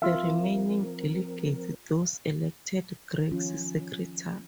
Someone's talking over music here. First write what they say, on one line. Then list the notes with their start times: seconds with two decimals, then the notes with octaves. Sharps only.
The remaining delegates thus elected Craxi secretary.
0.02 F3 C4 F4 A#4 E5
3.31 D#3 F3 C#4 F4